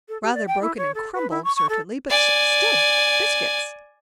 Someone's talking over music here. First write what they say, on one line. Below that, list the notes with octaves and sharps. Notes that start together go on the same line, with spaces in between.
Rather broken and crumbled, certainly, but still biscuits.
A4
G4
D5
G5
E4
C#5
A4
B4
E4
C#6
C#6
A4
D5 G#5